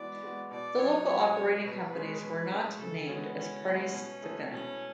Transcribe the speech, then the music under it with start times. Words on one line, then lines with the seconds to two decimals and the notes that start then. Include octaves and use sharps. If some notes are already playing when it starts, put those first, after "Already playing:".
The local operating companies were not named as parties defendant.
Already playing: E3 G#3 B3 F#4 D5
0.23 G#3 B3 F#4
0.51 B2 D5
0.79 F#3 C#4 C#5
1.08 B2 C#5
1.36 F#3 C#4
1.64 B2 B4
1.94 G#3 C#4 G#4
2.22 B2 B4
2.50 G#3 C#4 G#4
2.79 C#3 A4
3.07 E3 G#3 B3 C#4 F#4
3.36 C#3 C#4
3.64 E3 G#3 B3 F#4
3.93 B2
4.22 A3 E4 G#4
4.50 B2 C#4